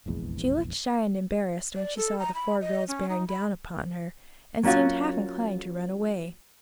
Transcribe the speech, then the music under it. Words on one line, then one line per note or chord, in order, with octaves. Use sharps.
She looked shy and embarrassed when she saw the four girls bearing down upon her, and seemed half inclined to run away.
F1 A#1 E2 G#3
D5
A4
A#5
B5
D#5
C#4
D#4
B5
F#3 A#3 C#4 F4 F#4